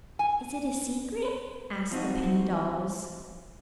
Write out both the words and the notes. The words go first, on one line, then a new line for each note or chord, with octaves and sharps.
"Is it a secret?" asked the penny dolls.
G#5
F3 C4 D#4 F#4